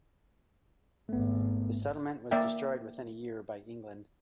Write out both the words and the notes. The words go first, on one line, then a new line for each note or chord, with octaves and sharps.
The settlement was destroyed within a year by England.
G#1 A3 B3
A#3 D5 E5 G5